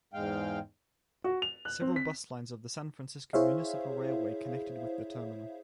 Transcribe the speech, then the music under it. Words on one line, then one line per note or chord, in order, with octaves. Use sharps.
Several bus lines of the San Francisco Municipal Railway connected with the terminal.
E2 G#2 G#3 F5 G5
F#4
F7
F#6
C4
B6
E4 G#4 C5 C#5 E5 F5